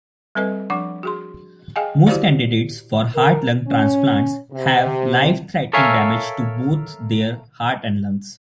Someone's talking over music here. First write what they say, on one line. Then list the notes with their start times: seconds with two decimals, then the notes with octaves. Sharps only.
Most candidates for heart-lung transplants have life-threatening damage to both their heart and lungs.
0.35 G3 C4 A4 B4 D#5
0.70 F3 D4 F#5 D6
1.03 F#4 G#4 C6
1.76 G#4 D#5 F5 G5 G#5
2.07 E4 F#4 G4 C5 D5 F5
3.15 A#4
3.66 C#4
4.52 C3
5.73 A4 A#4 C#5 E5 F5 G#5